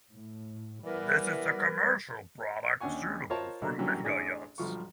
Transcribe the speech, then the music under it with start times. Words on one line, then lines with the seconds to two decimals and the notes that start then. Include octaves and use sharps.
This is a commercial product suitable for mega yachts.
0.11 A2
0.84 E3 G3 B3 E4 A#4 B4 D5
2.80 D#2 C#4 D4 F#5 G#5 C#6
3.30 F4 A#4 C5 C#5 D#5 A5
3.62 B2 F#3 A#3 D4 F#4 A4
3.78 D3 E3 F#3 G3 A#3 C#4
4.04 A1 D4 G#4 D5
4.58 B1 G2 F3 C#6